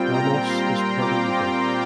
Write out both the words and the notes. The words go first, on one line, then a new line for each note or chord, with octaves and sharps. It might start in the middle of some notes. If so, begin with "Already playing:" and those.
Ramos is Puerto Rican.
Already playing: A#2 G3 C4 F4 G5
A#5
C6
D6